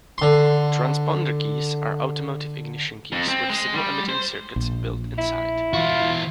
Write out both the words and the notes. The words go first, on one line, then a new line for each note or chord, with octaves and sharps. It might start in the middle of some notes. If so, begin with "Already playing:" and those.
Transponder keys are automotive ignition keys with signal-emitting circuits built inside.
D3 C6
F2
C4
G#3
G3
C5
A#1
E4
E3 F4 F#4